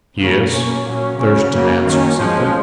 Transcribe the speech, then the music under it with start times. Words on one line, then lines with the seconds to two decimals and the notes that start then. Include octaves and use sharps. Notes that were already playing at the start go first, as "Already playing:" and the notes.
"Yes," Thurston answered simply.
0.18 C#3 F#3 A#3
0.50 B2 A#3 C#4
0.84 A#2 F#3 A#3 C#4
1.17 C#3 F#3 C#4
1.51 C#3 F#3 A#3
1.84 D#3 A#3 C#4
2.17 F3 G#3 C#4